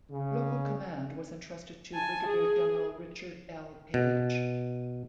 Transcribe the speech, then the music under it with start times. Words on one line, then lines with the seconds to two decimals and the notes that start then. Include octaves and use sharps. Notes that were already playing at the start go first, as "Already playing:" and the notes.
Local command was entrusted to Brigadier General Richard L. Page.
0.11 C#3
1.94 G#5 A5
2.26 G#4
3.94 B2